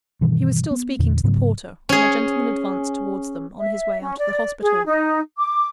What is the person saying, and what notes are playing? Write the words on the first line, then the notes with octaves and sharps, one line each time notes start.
He was still speaking to the porter, when a gentleman advanced towards them, on his way out of the hospital.
G2 B2 D#3 E3
B3
E2 A#2 D3
G#2 C#3 F#3 B3
C#4 G#4
E5
C#4
D5
G#4
D#4
D6